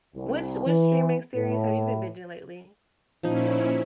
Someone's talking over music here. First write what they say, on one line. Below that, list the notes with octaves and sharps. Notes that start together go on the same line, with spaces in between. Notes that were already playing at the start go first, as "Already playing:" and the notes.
which which streaming series have you been binging lately?
C2
E3
A2
A#2 F3 C#4 D#4 E4